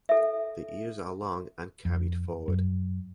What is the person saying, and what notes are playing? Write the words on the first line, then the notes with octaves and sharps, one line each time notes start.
The ears are long and carried forward.
A4 E5
F2
F#2